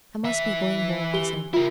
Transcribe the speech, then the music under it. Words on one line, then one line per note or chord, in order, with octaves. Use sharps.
"I must be going home," he said.
E3 E5
G4 G7
E4 F4 A#4